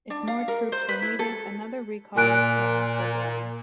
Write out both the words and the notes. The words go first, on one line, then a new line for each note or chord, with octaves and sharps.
If more troops were needed, another recall was planned for July.
D4
F5
A#4
C5
B4
E4
A4
A#2 G#5 F#6 D7